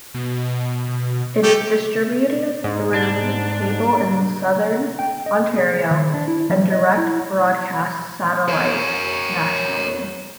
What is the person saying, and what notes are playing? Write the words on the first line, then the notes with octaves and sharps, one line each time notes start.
It is distributed through cable in Southern Ontario and direct broadcast satellite nationally.
B2
A3 G4
G#2
D4
G5
D#5
G#4
D#3
D4
E4
F3
D#5
E4
A#4 C#5